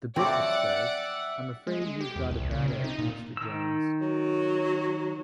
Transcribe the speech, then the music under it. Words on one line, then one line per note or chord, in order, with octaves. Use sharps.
The bishop says: I'm afraid you've got a bad egg, Mr Jones.
F3 F#3 C4 D5 E5 F#5 G5 D6
G#3
G#3
G4
E2
C2
C#3
C3
D#4
A#2
D#3 E6
F#3